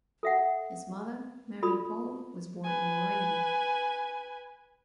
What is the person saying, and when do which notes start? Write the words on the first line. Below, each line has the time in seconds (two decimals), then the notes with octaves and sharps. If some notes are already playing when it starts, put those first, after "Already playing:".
His mother, Marie-Paule, was born in Lorraine.
0.23 A4 E5 F#5
1.62 F4 A4 D5 B5 D#6
2.64 B4 G#5